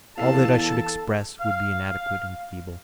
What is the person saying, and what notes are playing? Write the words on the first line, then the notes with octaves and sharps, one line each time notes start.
All that I should express would be inadequate and feeble.
E2 A4 F5 A5 C7
F5